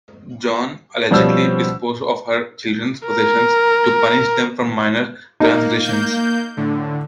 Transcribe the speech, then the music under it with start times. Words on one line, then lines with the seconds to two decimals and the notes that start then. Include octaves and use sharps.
Joan allegedly disposed of her children's possessions to punish them for minor transgressions.
1.11 B2 F3 G3 C#4 C5 E6
3.08 A#4
5.40 A#3 D#4 A#4
5.84 A#3 G6
6.57 A2 D3